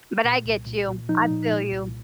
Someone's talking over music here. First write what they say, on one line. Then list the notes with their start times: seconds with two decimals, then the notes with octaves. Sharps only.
But I get you, I feel you.
0.24 A#2
0.45 C2
0.66 A#2
0.88 A#2
1.09 F3 D#4
1.30 A#2
1.51 A#2
1.73 C2